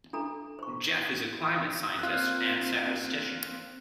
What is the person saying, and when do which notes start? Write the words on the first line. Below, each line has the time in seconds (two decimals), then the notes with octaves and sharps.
Jeff is a climate scientist and statistician.
0.13 D4 A4 A#5
0.59 C5 C#6
1.99 A#3 C4 F4 F#6